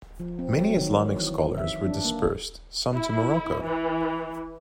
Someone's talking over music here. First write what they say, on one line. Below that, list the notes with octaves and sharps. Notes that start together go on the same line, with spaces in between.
Many Islamic scholars were dispersed, some to Morocco.
F3
C4
F#3
D#3
E3
E5
D4
A#3
E4
E3